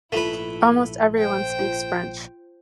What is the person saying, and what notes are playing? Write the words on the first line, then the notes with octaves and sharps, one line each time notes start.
Almost everyone speaks French.
A#1 G#2 A3 E4 F4 B4 F#5 A5
C5 G5
F4